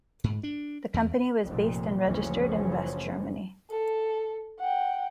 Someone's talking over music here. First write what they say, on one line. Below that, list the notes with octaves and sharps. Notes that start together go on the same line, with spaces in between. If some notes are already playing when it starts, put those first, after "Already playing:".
The company was based and registered in West Germany.
G#2
D4
E2
F1 A#2
F#1 D2 C#3 E3 F3 C#4
A4
F#5 G5